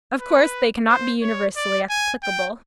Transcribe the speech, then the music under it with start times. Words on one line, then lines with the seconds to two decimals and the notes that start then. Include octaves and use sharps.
Of course, they cannot be universally applicable.
0.19 B4
0.88 C5
1.21 C#5
1.56 D5
1.89 G#5
2.23 G5